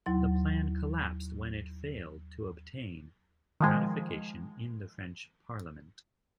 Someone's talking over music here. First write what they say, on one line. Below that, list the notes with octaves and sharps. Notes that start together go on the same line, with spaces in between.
The plan collapsed when it failed to obtain ratification in the French Parliament.
D#2 F#3 E4 C6
D#3 F3 G#3